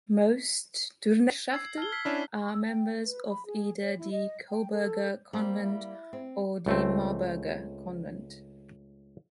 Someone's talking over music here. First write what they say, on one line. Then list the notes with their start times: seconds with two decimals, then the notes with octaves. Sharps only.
Most Turnerschaften are members of either the Coburger Convent or the Marburger Convent.
1.52 E6 G#6 C7
1.78 A5 F6 G7
1.92 F6 B6 C7
2.05 C#4 D4 E4
2.36 C#6
2.52 E6
2.68 G5
3.03 B4
3.28 B5
3.46 G#4
3.80 C#5
3.98 E4
4.11 D#5
4.50 G5
4.71 A4
5.33 G3 A#3 C4
5.64 E4
6.13 C4
6.66 C#2 A3 C4